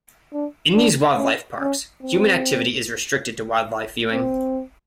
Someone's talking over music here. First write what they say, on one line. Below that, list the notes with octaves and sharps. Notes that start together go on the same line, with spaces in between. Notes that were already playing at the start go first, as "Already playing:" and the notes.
In these wildlife parks human activity is restricted to wildlife viewing.
D4
D4
C#4
C#4
C4
C4